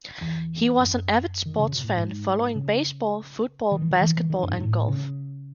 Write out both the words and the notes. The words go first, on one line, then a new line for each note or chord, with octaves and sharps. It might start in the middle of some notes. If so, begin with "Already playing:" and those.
He was an avid sports fan, following baseball, football, basketball and golf.
E2
F#2
D#3
C#3
B2
A2
G#2
C#3
D#3
E3
D#3
E3
E3
D#3
F#2
G#2
A2
C#3